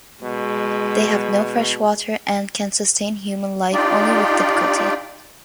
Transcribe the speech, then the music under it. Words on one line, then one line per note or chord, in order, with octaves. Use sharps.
They have no fresh water and can sustain human life only with difficulty.
B2 G#3
D4 D#4 F4 G4 D5